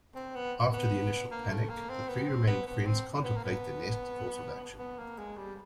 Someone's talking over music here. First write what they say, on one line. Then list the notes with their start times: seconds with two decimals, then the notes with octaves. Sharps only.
After the initial panic, the three remaining friends contemplate their next course of action.
0.15 C4
0.35 B3
0.73 B3
1.31 A#3
1.50 A3
1.70 A#3
1.89 C4
2.08 B3
2.28 C4
2.47 B3
2.66 B3
2.86 C4
3.24 B3
3.36 A#3
3.44 B3
4.79 B3
4.98 A#3
5.18 G#3
5.37 G3